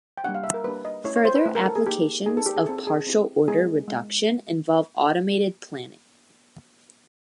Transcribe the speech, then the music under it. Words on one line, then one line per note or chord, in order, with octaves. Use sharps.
Further applications of partial order reduction involve automated planning.
G5
G3 A#3 D4 G4 F#5
F5
E5
A#4
G3 A#3 D4 G4 B4
D#5
A3 C#4 E4 C#5
C#5
C5
B4
A3 C#4 E4
A#4
A4
G#4
A#3 D#4 G4
A#3 D#4 G4 G#4
A4
G4
G#4
C4 E4 G4 A4
G#4
C4 E4 G4
G#3 B3 E4 G#4
G#3